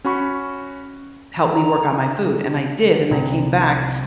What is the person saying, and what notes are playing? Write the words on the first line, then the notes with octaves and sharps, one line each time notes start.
help me work on my food, and I did, and I came back
C#4 F#4 B5 C#6
A#5
C2